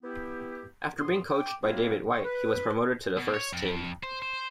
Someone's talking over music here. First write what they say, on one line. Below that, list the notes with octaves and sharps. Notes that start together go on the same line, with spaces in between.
After being coached by David White he was promoted to the first team.
B3 E4 G4
C#2 A2 F#3 C6 D#6
G5 D6
F#3 A#3 C4 D4 E4 F4
C#5 D#5 G5 C6 C#6 D#6
B4
B2
C#5
F2
C5
C5